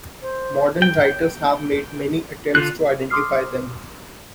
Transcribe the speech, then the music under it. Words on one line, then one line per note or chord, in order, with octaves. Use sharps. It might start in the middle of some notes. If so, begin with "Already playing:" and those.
Modern writers have made many attempts to identify them.
C5
G5
D3 F4 F#6
C6 D6 D#6 F6 C7